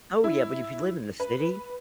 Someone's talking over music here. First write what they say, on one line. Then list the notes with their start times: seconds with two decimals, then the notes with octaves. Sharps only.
Oh, yeah, but if you live in the city,
0.24 E4
1.20 B4